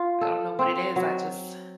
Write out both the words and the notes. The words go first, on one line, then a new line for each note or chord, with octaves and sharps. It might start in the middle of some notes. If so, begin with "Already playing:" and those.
I don't know what it is. I just
Already playing: F4
A4
C4
F#3